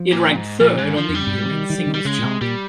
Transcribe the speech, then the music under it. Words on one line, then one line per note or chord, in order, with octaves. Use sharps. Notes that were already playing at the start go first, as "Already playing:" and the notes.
It ranked third on the year-end singles chart.
Already playing: F3
A#2
G#2
A#2 F3
G#2
D#3
F3
F2
G3
G2
G#2
F3
D#3
D#3
F3
D#3
G3
C#3 G#3
A#2
C3
A#2 G3